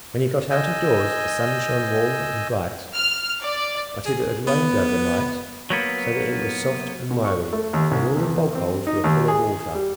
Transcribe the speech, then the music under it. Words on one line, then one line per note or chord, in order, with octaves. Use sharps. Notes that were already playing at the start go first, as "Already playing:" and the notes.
When he got out of doors the sun shone warm and bright; but it had rained overnight, so that it was soft and miry, and all the bog holes were full of water.
D#5 G#5 E6 G6
F6
D5
G#4
B3
F#3 A#3 B3
B2
C#6
A3
D#2
C2
E2
C4
D#4
D#2
G#4
G3